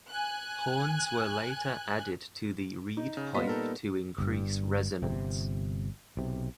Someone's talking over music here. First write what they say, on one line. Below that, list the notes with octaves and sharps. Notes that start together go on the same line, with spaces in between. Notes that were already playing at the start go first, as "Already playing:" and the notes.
Horns were later added to the reed pipe to increase resonance.
G#5 F#6
D#4
C#3
A#2 G3 B3 F4 D#5 B6
D#4 A4 A#4
G1 G2
G1 C3
B1 C3